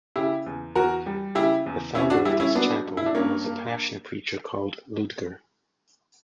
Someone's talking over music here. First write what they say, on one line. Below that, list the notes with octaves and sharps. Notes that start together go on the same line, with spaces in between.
The founder of this chapel was a passionate preacher called Liudger.
C#3 E4 G4
E2
E2 F#4 A#4
G3
C#3 E4 G4
E2
E2 C#4 E4
D4 F#4
G3 E4 G4
C#4 E4
F#3 B3 D4
G2
E4
D4
G2 A#3 C#4
A#3